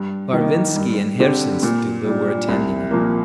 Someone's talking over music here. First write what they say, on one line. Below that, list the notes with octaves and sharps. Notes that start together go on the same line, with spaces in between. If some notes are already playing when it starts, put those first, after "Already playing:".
Varvinsky and Herzenstube were attending him.
Already playing: G2
D#3 A#3
G2
D3 G3 C4 G4
A#2
G3 D4
C2
A#2 F3 A#3